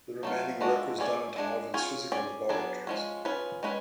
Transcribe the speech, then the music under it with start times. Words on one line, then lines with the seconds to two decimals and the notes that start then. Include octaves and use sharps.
The remaining work was done at Harvard's Physical Laboratories.
0.23 F#3 A3 F4
0.61 F3 G#3 D4 F#4 A4
0.98 A3 C#4 G#4 D5
1.36 G#3 D4 G#4
1.74 C#4 F4 G#4 C#5
2.12 C#4 G#4 D5
2.49 F#3 B3 D4 G#4
2.87 F3 G#3 C#4
3.25 C#4 F4 G#4 B4
3.63 G#3 C#4 G#4 B4